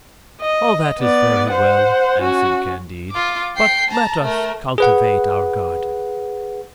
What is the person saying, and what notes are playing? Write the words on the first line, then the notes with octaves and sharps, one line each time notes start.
"All that is very well," answered Candide, "but let us cultivate our garden."
D#5
B3 D5
C5 F#5
C#4 F#4
F4 D6
G5 C7
A5 A#5
A3 A#4
G#4 B4 F#5